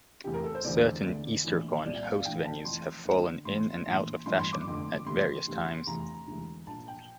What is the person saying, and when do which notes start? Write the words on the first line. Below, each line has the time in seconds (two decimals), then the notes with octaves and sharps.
Certain Eastercon host venues have fallen in and out of fashion at various times.
0.24 F1 E2 C3 E3 G4
0.34 A#4
0.44 A4
0.55 C5
0.64 F1 E2 D3 D5
1.05 D2 D3
1.45 A#1 A2 E3
1.85 C2 A#2 D5
2.05 F5
2.25 A#1 A2 E3 G5
2.45 A5
2.65 F1 F2 E3 C6
3.05 D2 D3
3.45 A1 A2 E3 C6
3.87 A#1 A2 E3
4.26 A1 G2 E3 C6
4.39 C6
4.53 D6
4.67 F1 F2 D3
5.06 D2 C3 E3 C6
5.47 D2 C3 E3
5.87 F1 E2 C3 E3 A#5
6.28 E1 D2 C3 E3
6.67 A#1 A#2 A5
6.88 G5